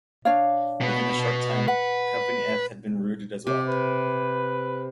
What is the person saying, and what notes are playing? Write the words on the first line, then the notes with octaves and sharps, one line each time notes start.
Within a short time, Company F had been routed as well.
D4 C#5 F5
B2 B3
B4 F#5
C3 G4
B4